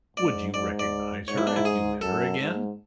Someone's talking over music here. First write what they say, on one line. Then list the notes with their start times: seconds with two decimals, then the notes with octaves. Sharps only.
"Would you recognize her if you met her again?"
0.17 G#2 D5
0.54 G#2 D5
0.79 D5
1.28 G#2 C#5
1.37 E4
1.47 D4
1.56 E4
1.65 G#4
2.01 F#2 A4
2.39 G#2